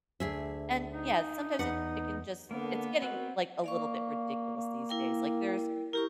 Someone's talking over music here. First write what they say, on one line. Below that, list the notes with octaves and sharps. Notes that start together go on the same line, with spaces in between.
and, yeah, sometimes it it can just it's getting, like, a little bit ridiculous these days, like, there's
D2 G#4 E5
D#4
E2 D#4 B4 F#5
D3 A#3 B3 A#4
C4 F#4 A#4 F#5
A#3 D5 F5 C#6
A#3
E4 A#4 G5
E4 G4 A#4 C#6